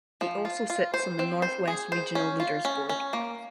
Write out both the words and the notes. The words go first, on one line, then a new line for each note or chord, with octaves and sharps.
He also sits on the North West Regional Leaders Board.
F3
F4
F4
C5
C4
C5
G#4
C5
C#4
F4
C#4
C#4
A#3